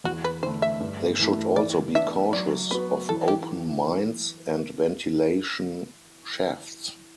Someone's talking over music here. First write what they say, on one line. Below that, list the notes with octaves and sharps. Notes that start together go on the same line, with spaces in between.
They should also be cautious of open mines and ventilation shafts.
E2 F#4
B4
D3 A3 C5
E5
G2
E3 A3 E4
E3 D5
B3 D4 E5
F#3 D5
B3 F#4 B4
E3 A4
G4